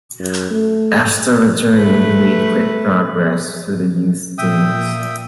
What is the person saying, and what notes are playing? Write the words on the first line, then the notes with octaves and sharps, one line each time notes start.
After returning, he made quick progress through the youth teams.
F#2
A3
A3 B4
A#2 E5 G5 D#6